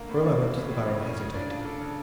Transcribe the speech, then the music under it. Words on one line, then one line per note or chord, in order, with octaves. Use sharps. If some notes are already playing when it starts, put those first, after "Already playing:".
For a moment the Baron hesitated.
Already playing: D3 A#3 A#4
A2
D5
A#3
E3
A2
A2
C#3
C#4
C#3
D4 D5
D4 F4
D4 A4
C#3